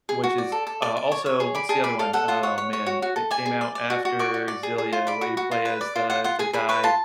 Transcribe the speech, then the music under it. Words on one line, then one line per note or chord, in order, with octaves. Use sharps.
which is, uh, also what's the other one? Oh, man. It came out after Xillia where you play as the the guy,
G#4
F#4
D5
A4
A4
D5
D5
C#5
C#5
G#4
D5 B5
G#4 A5
D5 B5
A4 F5
A4 F#5
F4 F#5
C#5 F#5
C#5
C#5
F#4
F#4
A4
D5 G#5
G#4
D5
D5
F#4
F#4
D5 C#6
F#4
D5
G#4
G#4
F4
D5 B5
F#4
F#4
F4
B4
D5
F4
F4 F#5
F4 F#5
G#4 G#5
G#4 B5
B4 C#6
F4 A5